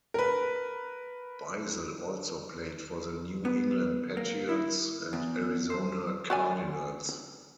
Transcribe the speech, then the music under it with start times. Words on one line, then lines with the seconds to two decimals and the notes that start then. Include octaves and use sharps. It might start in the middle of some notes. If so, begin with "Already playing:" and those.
Beisel also played for the New England Patriots and Arizona Cardinals.
0.14 A#4 B4
3.45 B3
4.17 A#3
4.49 E4
5.13 E2
5.70 C5
6.30 F#4 D5 G#5